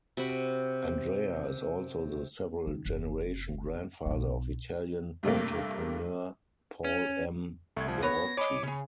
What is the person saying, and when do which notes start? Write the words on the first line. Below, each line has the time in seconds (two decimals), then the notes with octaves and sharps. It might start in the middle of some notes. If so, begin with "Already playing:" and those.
Andrea is also the several generation grandfather of Italian entrepreneur, Paul M. Verrochi.
0.17 C3 F#4 B5
2.67 D#3
2.85 F#1 C3
4.06 B1 B3
5.23 G2 C3 A3 A#3
6.84 C#4
7.76 C2 A3 G#6
7.88 F3
8.03 B3 B4 C#5 A#6
8.37 G#4 C#5 D#5 B5 D6
8.63 C#3 C#4 G#4